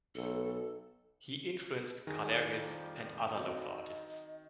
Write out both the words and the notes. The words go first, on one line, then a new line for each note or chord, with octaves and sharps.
He influenced Kalergis and other local artists.
B1 A4
F2 D#3 F3 G3 G#4 A#4
C4 F#4 D#5